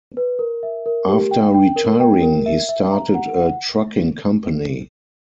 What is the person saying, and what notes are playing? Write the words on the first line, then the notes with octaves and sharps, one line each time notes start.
After retiring, he started a trucking company.
B4
A#4
E5
A#4
G4
G5
G5
A#4
G5
A#4
E5
E5
A#5
F#5
F#5